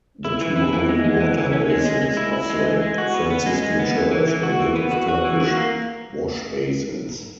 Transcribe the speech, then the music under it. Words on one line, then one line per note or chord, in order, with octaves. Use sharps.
The two holy-water basins of the Franciscan Church were made of Turkish washbasins.
E4
E3
E4
E3
G#3
G#3
E3
E3
C#4
G#3
G#3
G#3
E4
E4
G#3
E3
G#3
F#4
B3
B3
G#3
G#3
B3
E3
E3
E3
F#4
E3
B3
F#4
F#4
E3
F#4
A#3